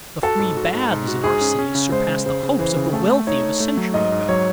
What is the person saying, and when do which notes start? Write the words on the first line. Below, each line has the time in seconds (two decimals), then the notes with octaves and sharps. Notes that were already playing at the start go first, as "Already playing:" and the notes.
The free baths in our cities surpass the hopes of the wealthy of a century ago.
0.23 F#4 A4
0.39 G#2
0.57 F#4
0.74 G#2
0.91 G#2
1.08 F#4
1.24 G#2 G#4
1.41 C#4
1.59 C#4
1.75 C#3
1.92 G#3 C5
2.08 C#3
2.25 C#3 C5
2.43 C#3
2.59 E3 C5
2.76 C#3
2.93 A3 A4
3.10 A3
3.27 D#4 C#5
3.43 A3
3.60 A3
3.77 F#3
3.94 G#2 D#5
4.12 G#2
4.28 F#3 C#5